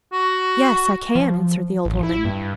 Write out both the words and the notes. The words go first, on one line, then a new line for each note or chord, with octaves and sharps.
'Yes, I can,' answered the old woman.
F#4
F3
A1
E4
G2